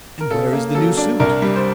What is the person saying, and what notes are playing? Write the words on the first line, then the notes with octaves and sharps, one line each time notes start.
"And where is the new suit?"
A#4
C#3 A4
A#3
F#3 A4
D4
C2 A#4
G3
C5